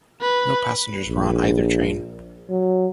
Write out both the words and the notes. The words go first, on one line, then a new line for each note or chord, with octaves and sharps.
No passengers were on either train.
B4
A#1
F#3